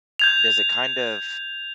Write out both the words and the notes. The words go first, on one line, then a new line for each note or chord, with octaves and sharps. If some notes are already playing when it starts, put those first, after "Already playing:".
does it kind of
G6 G#6 F7